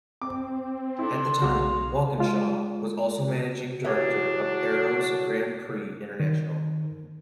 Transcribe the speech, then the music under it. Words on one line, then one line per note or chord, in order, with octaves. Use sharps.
At the time, Walkinshaw was also managing director of Arrows Grand Prix International.
C4 D6
D4 E4 A4 C6
B1 G#3 F#4 F5
G#3 F4
C#3 E3 F#3 D4 F#4 G4 C#5 E5
D#3